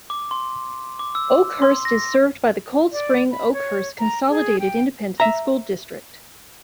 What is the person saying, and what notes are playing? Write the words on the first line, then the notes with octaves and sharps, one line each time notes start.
Oakhurst is served by the Coldspring-Oakhurst Consolidated Independent School District.
D6
C6
D6
E6
C6
A#6
D5
B5
C#5
A#5
G#4
G5
E5 A#5